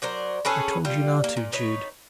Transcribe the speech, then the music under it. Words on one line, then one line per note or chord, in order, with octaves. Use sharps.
"I told you not to, Jude!"
F#3 A#4 C5 D5
C#4 G#4 A4 B4
G3 F4
A#3
A#2
D#4 B4 C#5